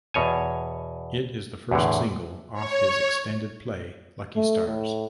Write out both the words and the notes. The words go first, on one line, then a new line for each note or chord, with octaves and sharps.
It is the first single off his extended play "Lucky Stars".
E2 B2 C#5 G#5
E2 A2 D3
C#5
A3
A2